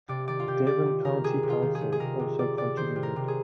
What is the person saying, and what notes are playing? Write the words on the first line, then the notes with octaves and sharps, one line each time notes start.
Devon County Council also contributed.
C3 D5
D#3 D5
F4
C3 G4
C3 D5
D#3
D#3 A#4
C3 G#4
C3
F4
D#3
G#4
D#3
G#4
C3 A#4
C3
C3 D5
C3 D5
D#3 C5
C3
A#4
C3
G#4